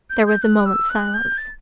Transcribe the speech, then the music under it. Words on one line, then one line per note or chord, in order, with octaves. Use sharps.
There was a moment's silence.
G6
G6
F#6
E6
F#6
G6
A6